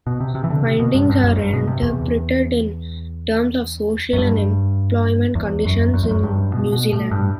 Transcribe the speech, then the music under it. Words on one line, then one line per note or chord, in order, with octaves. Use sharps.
Findings are interpreted in terms of social and employment conditions in New Zealand.
B2
C3
C3
E3
D3
C3
B2
G2
G2
F#2
G2
B2
C3
E2
F#2
G2
E2
F#2
F#2
E2
F#2
G2
B2
B2
A2
G2